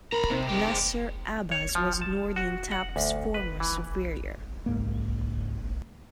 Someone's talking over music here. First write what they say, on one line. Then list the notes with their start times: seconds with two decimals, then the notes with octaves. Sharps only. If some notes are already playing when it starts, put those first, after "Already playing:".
Nasir Abbas was Noordin Top's former superior.
0.12 A#4 A#5 B5
0.30 C3 C4 D#4
0.48 G#3 G4
0.68 F2
1.51 C#5
1.75 F3
2.02 A5
2.36 F#4
2.72 F#5
2.96 D2
3.34 B4
3.60 E3
4.66 C#2 G#2 A#3